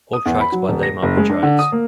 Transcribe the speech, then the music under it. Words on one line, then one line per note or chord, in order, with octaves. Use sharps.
All tracks by They Might Be Giants.
D#6
E2
B5
F#3
D#1
A#6
F#1
G#3
D4
D3
D#6
A#3